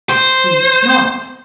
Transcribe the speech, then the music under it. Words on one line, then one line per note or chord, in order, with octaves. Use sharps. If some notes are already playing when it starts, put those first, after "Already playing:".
He snorts.
C5